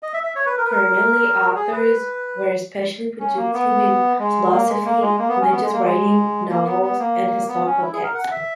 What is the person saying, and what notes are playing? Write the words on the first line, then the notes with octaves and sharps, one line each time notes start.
Karamanli authors were especially productive in philosophy, religious writings, novels, and historical texts.
D#5
E5
E5
C#5
B4
A#4
B4
A#4
G#4
B4
C#4
A#3
B3
G#3
A#3
G#3
A#3
G#3
A#3
B3
C#4
B3
G#3
A#3
G#3
A#3
B3
B3
A#3
B3
C#4
E4
G#4
A#4
F#5
E5